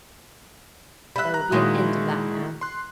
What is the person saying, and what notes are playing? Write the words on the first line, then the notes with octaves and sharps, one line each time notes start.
There will be an end of that now.
G3 E5 B5 F#6
A#5 F#6
A#2 D#3 G#3 E4 F#4
C6 F#6